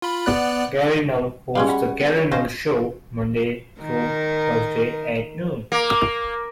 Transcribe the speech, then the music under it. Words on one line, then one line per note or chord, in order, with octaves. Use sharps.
"Gary Null" hosts the Gary Null Show, Monday through Thursday at noon.
F4 B5
B3 D5 F#6
G3 G#3 C#4 F5
C#5 F#5 B5
B3
E4 C#5
C#4 C5 D#5 F5
D#3 A#4
A#3